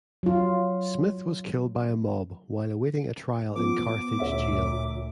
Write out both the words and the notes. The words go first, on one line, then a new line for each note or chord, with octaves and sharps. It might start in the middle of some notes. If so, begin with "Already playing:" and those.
Smith was killed by a mob while awaiting a trial in Carthage Jail.
F#3 F4
F3 B3 D6
D2 A#2 C#5 E5